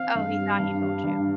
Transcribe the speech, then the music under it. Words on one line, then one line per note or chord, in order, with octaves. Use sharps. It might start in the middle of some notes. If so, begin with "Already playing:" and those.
Oh, he thought he told you.
Already playing: C4 F5
G2
G3
G2
G3
G2